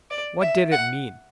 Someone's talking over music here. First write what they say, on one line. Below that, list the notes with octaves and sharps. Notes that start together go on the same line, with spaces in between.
What did it mean?
D5
E5
F#5